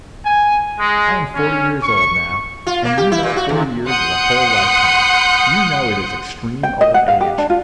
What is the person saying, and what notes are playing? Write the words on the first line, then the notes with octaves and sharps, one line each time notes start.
I am forty years old now, and you know forty years is a whole lifetime; you know it is extreme old age.
G#5
G#3
C#4
C#6
F4
A#3
G4
E4
A#2
F#4
D#2
F#5 C6 D#6 F#6 G6 C#7
G5
D#5
F#5
F5
G4
D4
F4